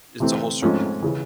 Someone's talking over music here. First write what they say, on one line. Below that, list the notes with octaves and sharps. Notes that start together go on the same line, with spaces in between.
it's a whole circle.
C3 E3 A3 C4
G#2 F3 A3 C#4
C#3 E3